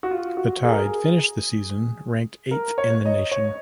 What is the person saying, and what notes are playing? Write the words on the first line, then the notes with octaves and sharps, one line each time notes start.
The Tide finished the season ranked eighth in the nation.
F#4
F4
F#4
G#4
A#4
G#4
A#4
C#5
D#5
C#5